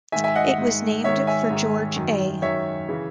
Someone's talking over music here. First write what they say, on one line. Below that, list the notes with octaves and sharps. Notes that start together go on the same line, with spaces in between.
It was named for George A.
G#2 D#3 E5 G#5
E5 G#5
D#5 F#5
D#5 F#5
G#2 D#3
G#2 D#3 C#5 E5
E5 G#5
G#2
D#3
F#2 D#3
F#2 D#3 C#5 E5
C#3 E3